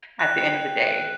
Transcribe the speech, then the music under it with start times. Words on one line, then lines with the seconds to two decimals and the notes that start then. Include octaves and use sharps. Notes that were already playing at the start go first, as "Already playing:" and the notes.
at the end of the day.
0.20 G5 F#6